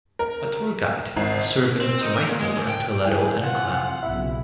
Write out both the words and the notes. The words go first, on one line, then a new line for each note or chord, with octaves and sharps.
A tour guide, a servant to Michael and Toledo and a clown.
A#4
G#1
C4
D#4
A#4
A#2
G#3
D2
G5
E4 G#4 G5 G#5
C3 F4 F#5
B1 C#3 E4 E5